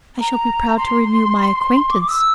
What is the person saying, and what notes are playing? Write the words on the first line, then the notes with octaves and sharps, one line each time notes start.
"I shall be proud to renew my acquaintance."
A#5
C6
D6
E6